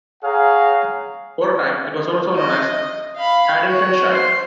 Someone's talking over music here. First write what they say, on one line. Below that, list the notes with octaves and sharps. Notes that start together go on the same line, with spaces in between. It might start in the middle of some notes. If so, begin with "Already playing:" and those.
For a time, it was also known as Haddingtonshire.
G#4 C#5 F5 F#5 A#5
D#5
F5 B5
F#4 C#5
C5 C6